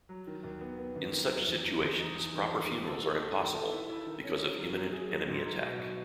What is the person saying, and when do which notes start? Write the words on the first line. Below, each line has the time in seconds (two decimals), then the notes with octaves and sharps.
In such situations, proper funerals are impossible because of imminent enemy attack.
0.09 F#3
0.27 D#3
0.43 D#2
0.61 B3
0.78 B3
0.96 D#2
1.12 D#3
1.31 F#3
1.47 E2
1.64 E2
1.82 E2
1.99 D#4
2.16 E2
2.34 D#3
2.51 D#3
2.68 D#3
2.86 A4
3.03 D#3
3.20 A4
3.38 D#3
3.55 A4
3.72 E4
3.89 E4
4.07 D#3
4.23 C#4
4.40 C#4
4.58 F#3
4.75 F#3
4.93 G#4
5.09 F#3
5.28 G#2
5.45 F#3
5.62 B2
5.78 B2